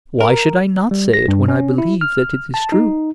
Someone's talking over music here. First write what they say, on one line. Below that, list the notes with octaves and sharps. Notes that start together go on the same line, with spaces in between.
Why should I not say it when I believe that it is true?
A#4
G3
A#6
G2
C#4
E4
F6
A5
D#4